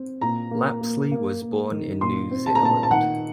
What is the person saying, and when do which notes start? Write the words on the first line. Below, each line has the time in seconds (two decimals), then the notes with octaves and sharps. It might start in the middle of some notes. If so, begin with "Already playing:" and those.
Lapsley was born in New Zealand.
Already playing: C4
0.21 A#2 A#5
0.51 A#3
0.81 A#3
1.11 A#3
1.42 A#3
1.71 D#3
2.01 A#2 C6
2.31 C4
2.46 A5
2.55 A#5
2.61 A#2 A5
2.83 A5
2.91 D#3 F#5